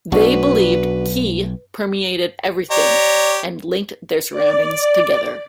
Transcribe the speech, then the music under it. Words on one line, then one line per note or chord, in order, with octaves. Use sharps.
They believed "qi" permeated everything and linked their surroundings together.
B1 D4 F#4 B4 D5
G4 C#5 D5 A#5
D5